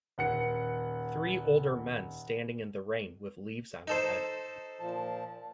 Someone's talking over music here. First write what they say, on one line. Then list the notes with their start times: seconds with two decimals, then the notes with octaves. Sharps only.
Three older men standing in the rain with leaves on their head.
0.18 D#1 F#5 C#7
3.88 D#4 A4 C5
4.80 A#2 F3 A5